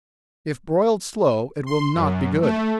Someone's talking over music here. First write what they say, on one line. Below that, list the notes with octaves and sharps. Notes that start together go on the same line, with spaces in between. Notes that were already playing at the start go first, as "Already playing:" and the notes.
If broiled slow, it will not be good.
C6
F#2
A3